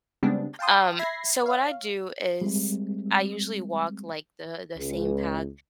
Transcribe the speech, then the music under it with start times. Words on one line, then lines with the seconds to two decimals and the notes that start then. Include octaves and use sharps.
Um, so what I do is I usually walk, like, the the same path
0.23 C#3 G3 G#3 B3 C4 D4
0.59 F5 G5 A5 C6 D#6
0.99 E5 B5 G#6 A#6 C7
1.43 C#5 F5
2.41 G3 G#3 C4
4.77 C#2